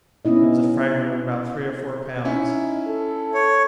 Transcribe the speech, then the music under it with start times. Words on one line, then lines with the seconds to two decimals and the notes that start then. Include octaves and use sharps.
It was a fragment of about three or four pounds.
0.25 B3 C#4 D#4 E4 D#5
2.25 C#4 D#4 E4
2.86 A4
3.34 C#5